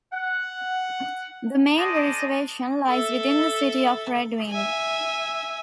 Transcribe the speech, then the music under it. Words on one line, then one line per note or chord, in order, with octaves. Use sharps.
The main reservation lies within the city of Red Wing.
F#5
G#3 C5 D5 D#5 A5 D#6
A4 E5
E5 G#5